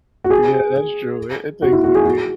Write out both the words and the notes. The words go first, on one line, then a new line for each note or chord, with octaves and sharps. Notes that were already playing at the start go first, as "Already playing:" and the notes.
Yeah, that's true. It it takes the cake.
F#4
G#4
F#4
E4
F#4
G#4
F#4